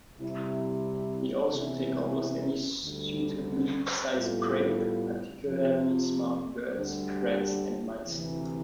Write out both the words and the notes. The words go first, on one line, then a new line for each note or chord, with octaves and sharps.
They also take almost any suitably sized prey, particularly small birds, rats and mice.
C3 G3 C4 E4
C3 E3 B3 E4
D2 D3 G3
A2 G3 B3 F4 A4
F2 C3 F3
D2 D3 G3 D4 G4
D2 C3 E3